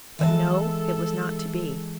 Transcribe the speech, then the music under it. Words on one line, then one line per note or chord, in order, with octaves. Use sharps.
But no, it was not to be.
E3 G#3 A4 A5